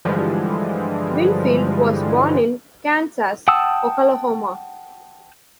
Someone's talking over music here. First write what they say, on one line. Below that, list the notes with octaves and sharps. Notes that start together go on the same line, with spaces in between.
Winfield was born in Kansas, Oklahoma.
G2 D3 E3 F3 G3 G#3
F#5 G5 A5 D#6 E6